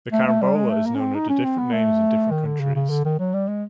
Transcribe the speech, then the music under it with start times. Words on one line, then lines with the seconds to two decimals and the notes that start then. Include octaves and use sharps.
The carambola is known under different names in different countries.
0.12 A3
0.27 A3
0.42 G3
0.56 G#3
0.70 A3
0.86 A#3
0.95 C#4
1.00 C4
1.15 D#4
1.29 C#4
1.44 C4
1.58 B3
1.73 A3
2.31 D#3
2.45 D3
2.60 C#3
2.76 C#3
2.90 D3
3.05 D#3
3.19 F#3
3.34 G3
3.48 G#3